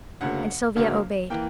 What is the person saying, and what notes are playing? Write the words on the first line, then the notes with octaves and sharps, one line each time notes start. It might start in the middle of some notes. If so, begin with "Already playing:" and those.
And Sylvia obeyed.
D2 C#3 F#3 A#3 F#5
D2 C#3 F#3 A#3
E3 A#3 G5